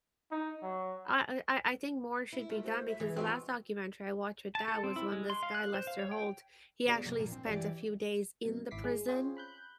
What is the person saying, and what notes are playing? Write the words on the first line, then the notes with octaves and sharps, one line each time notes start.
I I I I think more should be done because the last documentary I watched with dad was when this guy Lester Holt, he actually spent a few days in the prison?
D#4
F#3
E4
A3 F4 A#4 E5
F#4 C5
E5
E3 G#4
E2 G#3 C4 F4 F#4 A4 C5 G5
A5
A4
C4
E4
G#3
C6
F5
F#6
C5
F5
C#5
G5
A#3 B3 F#4 G#4 C5 D5
C3 F#3 A#3
A#2 F3 A#3 D4
C4
E3 G4 D5
F#2 B2
G#1 E4 D6 B6 C7
G#3
C4 C#4 F4 G#4 C5
B5 F#6 G6